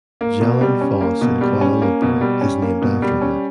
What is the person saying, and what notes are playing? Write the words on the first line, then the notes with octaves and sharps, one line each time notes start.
Jalan Foss in Kuala Lumpur is named after her.
A#3
B2
G3
C#4
A#3
B2
G3
C#4
A#3
B2
G3
C#4
A#3
B2
G3
C#4